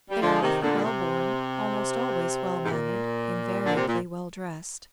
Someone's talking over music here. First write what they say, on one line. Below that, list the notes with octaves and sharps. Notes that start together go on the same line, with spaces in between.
They are often well born, almost always well mannered, invariably well dressed.
G3
D3 F3
C3 D#3
A#2 D3
C3
G#2
A#2
D3
C3
A#2